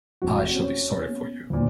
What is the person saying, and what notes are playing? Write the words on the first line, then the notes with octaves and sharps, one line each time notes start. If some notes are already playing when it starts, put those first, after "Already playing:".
I shall be sorry for you.
F1 F2 F#4
C#4
B3
D2 A#2